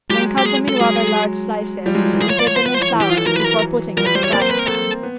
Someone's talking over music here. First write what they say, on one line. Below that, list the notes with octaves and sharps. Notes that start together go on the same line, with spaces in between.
Then cut them in rather large slices and dip them in flour before putting in the frying pan.
F#3 G#3 G4
G4
G#4
A4
F#3 G#3 G#4
F3 G3
F#3 G#3
F3
E3
F3 G#4
C#5
D5
C#5
C5
B4
C5
F3 C#5
E3
G4
F3 F4
A4
E3 F#3 A#4
B4
A#4
F3 G3 A#4
B4
F3 G3 C5
C#5
A#3 C4 D5
C5
B4
A#4
A4
B3